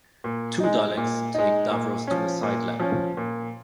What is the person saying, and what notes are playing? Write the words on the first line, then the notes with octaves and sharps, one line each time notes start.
Two Daleks take Davros to a side lab.
A#2
G#3 D#4
A#2
G#3 D#4
A#2
F3 C#4
A#2
F3 C#4
A#2